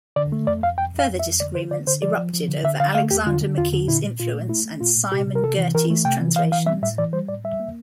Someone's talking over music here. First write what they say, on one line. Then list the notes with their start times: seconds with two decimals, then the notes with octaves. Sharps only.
Further disagreements erupted over Alexander McKee's influence and Simon Girty's translations.
0.16 D3 D5
0.32 A3
0.47 F2 D5
0.62 F2 F5
0.78 F2 G5
0.94 F2 F5
1.09 F2
1.19 E5
1.25 F2
1.40 D3 D5
1.55 D3 C5
1.71 D3 D5
1.87 D3 C5
2.02 F3 D5
2.17 F3
2.33 F3
2.49 D3
2.64 D3 E5
2.80 D3 F5
2.95 A3 F5
3.11 E2 G4
3.26 D3 F4
3.41 D3
3.58 E2 F4
3.72 D3
3.88 A#2 E4
4.03 A#2
4.20 A#2 F4
4.34 A3
4.50 A3 E4
4.66 A3
4.81 A#2 F4
4.97 A#2
5.12 C3 G4
5.27 C3
5.35 A#4
5.43 C3 A4
5.58 E3
5.75 E3 A#4
5.90 A3
6.05 C3 G5
6.21 E3
6.35 E3 F5
6.52 E3 F5
6.66 G3 E5
6.82 A2 E5
6.98 E3 D5
7.13 G3 C5
7.28 A2 D5
7.44 G3 E5
7.60 A#3